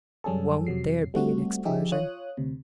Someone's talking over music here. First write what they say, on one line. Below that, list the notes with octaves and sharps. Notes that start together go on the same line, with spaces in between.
Won't there be an explosion!
F#2 G3 C#4 G#4 A4
F2 C3 F#3 C7
G3 A3 C4 F#4
F3 D#4 G4 G#4 E5
F4 C#5 D#6 F#6
D2 C3